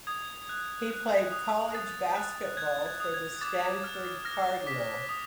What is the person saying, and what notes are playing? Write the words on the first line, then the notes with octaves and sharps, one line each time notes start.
He played college basketball for the Stanford Cardinal.
D#6 G#6
F#6
F#6
D#6
D#6 A6
F#6
F#6 G#6
G#6
D#6
G#6
D6 A6
F6
F6 A#6
D6 B6
D#6